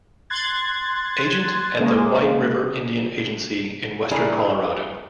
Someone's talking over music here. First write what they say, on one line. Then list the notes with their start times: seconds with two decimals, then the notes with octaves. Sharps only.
Agent at the White River Indian Agency in western Colorado.
0.30 C6 F#6 G#6 A6
1.79 C#3 G#3 A#3
4.11 F#3 G3 E4 G#4 A#4